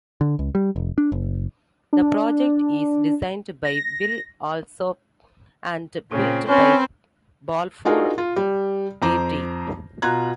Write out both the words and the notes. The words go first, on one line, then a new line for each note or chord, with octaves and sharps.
The project is designed by Will Alsop and built by Balfour Beatty.
D3
C#2
G3
F1
D4
F#1
D4
A#6
A#2 C#3 C4
C4 C#4 B4 C5
D4 D#4 F4 F#4 G#4 A#4
F4
G3
F2 C5 A#5 D6
B2 F4 A#5 F#6 G#6